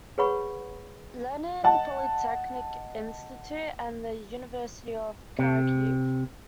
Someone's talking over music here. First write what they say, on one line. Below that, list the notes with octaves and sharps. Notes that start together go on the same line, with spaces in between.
Lenin Polytechnic Institute, and the University of Kharkiv.
G#4 B4 C#5 F#5 B5 C#6
D#5 F#5 A5
C3